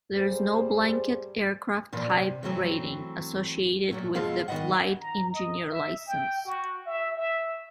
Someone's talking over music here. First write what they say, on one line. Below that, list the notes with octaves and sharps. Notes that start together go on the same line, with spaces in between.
There is no blanket aircraft type rating associated with the flight engineer licence.
G3 A3 G#4 C5
A#2 E3 F3
C3
E3 F#3 A3 C4
A#2 F#3 A3
F2 B2 F3 G#3 F4 A4
D#3 F#3 B3 D#5 F#5
A#5
D#5
E5
G5
F#4
E5
E5